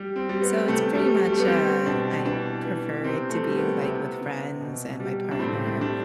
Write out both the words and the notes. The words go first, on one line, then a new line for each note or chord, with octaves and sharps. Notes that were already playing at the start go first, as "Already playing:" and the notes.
So, it's pretty much, uh, I prefer it to be, like, with friends and my partner,
Already playing: G3
C4
G3
B3
C3 A3
G3
G3
G3
A3
B3
G3 C4
B2 D4
E3 D4
E3
C3 C4
A3
G3
B3
C3
C3
B2
G3
D4
A2 C4
D4
G3 D4